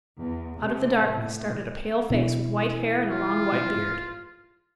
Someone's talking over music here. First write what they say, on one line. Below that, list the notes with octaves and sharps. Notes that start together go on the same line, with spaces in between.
Out of the darkness started a pale face with white hair and long white beard.
E2
C3
A2
B2 E3 B3 D4
F4